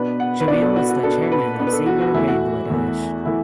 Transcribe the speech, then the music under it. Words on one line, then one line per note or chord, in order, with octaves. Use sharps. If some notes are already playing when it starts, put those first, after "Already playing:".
Jamil is the Chairman of Singer Bangladesh.
Already playing: B2 B3 D4 B4
F#5
B4
B2 B3 D4 D5
A4
F#4
F#4
B2 B3 D4 A4
B4
B2 B3 D4
B4
A4
F#4
F#4
E2 E3 A3 E4
F#4
E2 E3 A3
E3 A3 E4